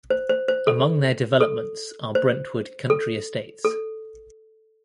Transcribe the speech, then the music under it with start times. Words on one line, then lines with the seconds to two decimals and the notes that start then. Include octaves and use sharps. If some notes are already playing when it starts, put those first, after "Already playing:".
Among their developments are Brentwood Country Estates.
0.10 C5
0.29 C5
0.48 C5
0.67 A4
1.41 A4
2.15 C5
2.90 A4
3.65 A4